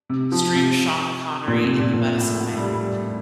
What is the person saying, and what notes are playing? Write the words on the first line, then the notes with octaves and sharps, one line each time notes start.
stream Sean Connery in The Medicine Man,
C3
F3
C3
A#2
C3
A#2
A#2
A2
A2
G3
G3